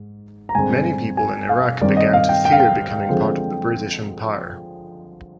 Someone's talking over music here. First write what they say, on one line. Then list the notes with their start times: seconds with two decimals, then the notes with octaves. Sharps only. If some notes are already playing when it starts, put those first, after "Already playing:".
Many people in Iraq began to fear becoming part of the British Empire.
Already playing: G#2
0.49 A#5
0.55 G2 D3 G#3 C4 G#5
1.17 G#5
1.49 F5
1.81 G2 D#3 G3 C4 D5
1.97 D#5
2.13 F5
2.29 G5
2.45 G5
2.52 F5
2.60 G5
3.08 D3 F3 G#3 C4